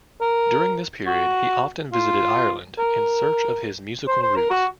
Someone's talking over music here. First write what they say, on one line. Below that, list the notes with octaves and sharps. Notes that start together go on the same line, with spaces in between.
During this period he often visited Ireland in search of his musical roots.
A#4
F#4
F4
A#4
C5
C5
A#4
F#4